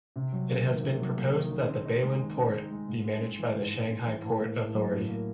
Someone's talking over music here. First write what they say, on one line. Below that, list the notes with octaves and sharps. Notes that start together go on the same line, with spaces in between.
It has been proposed that Beilun port be managed by the Shanghai port authority.
C3
F#3
A#3
D#3
C3
F#3
A#3
D#3
D#3
C4
D#4
G#3
D#3
C4
D#4
G#3
G#2
G#3
C4
E3
G#2
G#3
C4
E3
A2
A#3
A2
F#3
A2
A#3